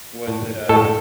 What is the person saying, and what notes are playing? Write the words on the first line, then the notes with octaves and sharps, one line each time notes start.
Was it a
A2
A2 A4